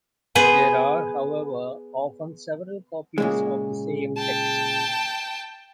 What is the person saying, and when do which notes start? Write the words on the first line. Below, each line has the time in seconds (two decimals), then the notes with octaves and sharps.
There are, however, often several copies of the same texts.
0.35 B3 G#4 B4 C5
3.18 A#2 C#3 G#3
4.17 G5 A5